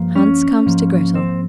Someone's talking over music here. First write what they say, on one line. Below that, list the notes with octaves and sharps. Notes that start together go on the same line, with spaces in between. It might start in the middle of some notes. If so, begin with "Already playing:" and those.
Hans comes to Grettel.
Already playing: G2 F3 A#3
C#4
G#2 F3 A#3
C4